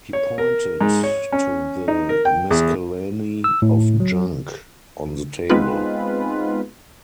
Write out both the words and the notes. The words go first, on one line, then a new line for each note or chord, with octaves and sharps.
He pointed to the miscellany of junk on the table.
C#5
A#4
G#2
C#5
C#4
D#4
A#4
G5
E2
E6
A2
F#3
G#3 B3 C4 D#4 F4 B4